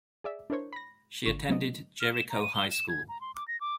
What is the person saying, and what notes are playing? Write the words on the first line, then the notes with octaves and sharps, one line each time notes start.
She attended Jericho High School.
G#4 D5 E5
D4 E4 A#4 C5 C#5
B5 A#6
G#1 D3 F4 C#6 E7
F#3 A3 B3 C4 D4 D#5
F6
E7
A#5
D#7
G7
E7
G#6
A#5
C6
D6
A#6
D6